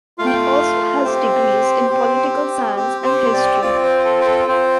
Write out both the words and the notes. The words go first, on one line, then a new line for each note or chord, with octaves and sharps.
He also has degrees in political science and history.
A3 F4 F5
G5
F5
C4 G4 C5
C4 G4
C4 G4
C5
D5
C4 F4 D5
C5
A4
C5
A4
C4 F4 C5